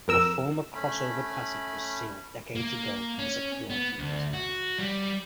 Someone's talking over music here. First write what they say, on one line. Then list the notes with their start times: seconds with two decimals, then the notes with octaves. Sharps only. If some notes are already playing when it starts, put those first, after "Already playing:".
A former crossover passage was sealed decades ago for security reasons.
0.08 F2 A#4 E6
0.74 A3 C#4 B5
2.55 A#3
3.19 C#4
3.70 B3
3.99 D2
4.33 F#4
4.78 G3